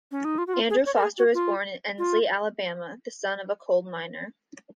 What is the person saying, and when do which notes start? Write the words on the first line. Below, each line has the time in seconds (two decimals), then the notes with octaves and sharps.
Andrew Foster was born in Ensley, Alabama, the son of a coal miner.
0.11 C#4
0.25 D#4
0.38 F4
0.47 F#4
0.54 F4
0.70 G#4
0.86 C#5
0.96 A#4
1.03 G#4
1.18 F#4
1.34 F4
1.98 F4